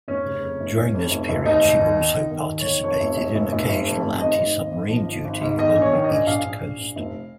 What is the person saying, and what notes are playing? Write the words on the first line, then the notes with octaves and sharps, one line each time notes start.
During this period, she also participated in occasional anti-submarine duty along the East coast.
F1 C#4
C#3
F2
F1
F1
F2
F1
F1
D#2 D#4
D#2
D#2
D#3
D#3
D#3
D#2
C#5
D#3
F2 C#5
F1
F1
F1
F1
F1
F2
F1
G#1 D#5
G#1
G#1
G#1
F3
G#1
G#1
G#2
D#3 D#5
A#1
C#5
D#3
D#5
A#1
A#1 F5
A#1
A#1
A#1
F1